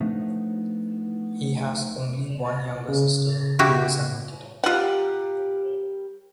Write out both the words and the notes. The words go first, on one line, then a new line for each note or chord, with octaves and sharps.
He has only one younger sister who is an architect.
F3 A3 B3 D4 D#4
C#3
E4 F#4 G4
G3 F4 G4 A#4 F#5